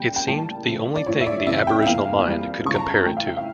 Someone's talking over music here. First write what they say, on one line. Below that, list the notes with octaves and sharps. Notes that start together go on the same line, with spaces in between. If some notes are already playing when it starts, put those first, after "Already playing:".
It seemed the only thing the aboriginal mind could compare it to.
Already playing: C#3 G3 A#3 G5
G5
A2 G3 A#3 A5
C#3 F3 A3
D5
A2 F3 A3 C#5
E5
D5
F2 C#3 E3 E5
G5
E5
E2 E3 A#3 F5
F2 E3 G3 A#3
C#3 E3 G3 C#6
A#5
A5
A5
A2 E3 A3 G5
F5
E5
F5